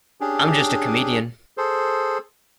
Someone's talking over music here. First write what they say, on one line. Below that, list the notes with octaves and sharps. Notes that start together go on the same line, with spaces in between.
I'm just a comedian.
C#4 D4 G4 G#4
G#4 A4 C5